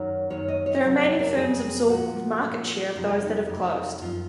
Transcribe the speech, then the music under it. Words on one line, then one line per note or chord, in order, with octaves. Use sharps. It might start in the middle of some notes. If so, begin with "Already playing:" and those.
The remaining firms absorb the market share of those that have closed.
Already playing: F#2 D#3 F#3 C#5
F#2 D#3 F#3 C#5
D#5
C#5
F2 C3 F#3 A#4
C#5
A#4
F2 C3 F#3 G#4
A#2 F3 F#4
A#2 F3
F2 C3 F#3 F4
D#4
F2 C3 F#3
F#2 F3 F4